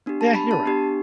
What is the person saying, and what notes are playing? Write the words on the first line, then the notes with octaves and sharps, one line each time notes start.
yeah, you're right.
B3 D4 G4
A5
B5
A5
B3 D4 G4